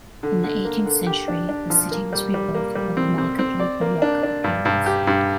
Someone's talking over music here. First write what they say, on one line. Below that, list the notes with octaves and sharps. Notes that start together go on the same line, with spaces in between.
In the eighteenth century, the city was rebuilt with a markedly Baroque appearance.
D3
D3
A#3
D3
G4
D4
D4
F3
A#3
G3
G3
A#3
G3
C4
C4
C4
D5
A#3
D4
D4
G2
G2
G4
G2